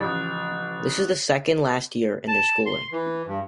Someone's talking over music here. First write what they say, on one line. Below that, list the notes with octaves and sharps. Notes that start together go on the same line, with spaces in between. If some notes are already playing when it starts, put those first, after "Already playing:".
This is the second last year in their schooling.
A1 C#3 F3 D#6 F#6 A6
A5
C6
E3
G2